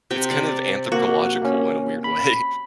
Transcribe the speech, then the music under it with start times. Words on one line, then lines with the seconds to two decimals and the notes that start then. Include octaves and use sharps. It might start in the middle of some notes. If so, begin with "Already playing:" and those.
It's kind of anthropological in a weird way.
0.11 C3 G5
0.31 D5
0.92 A#3 F#4
1.42 A#3 C#4
2.04 B5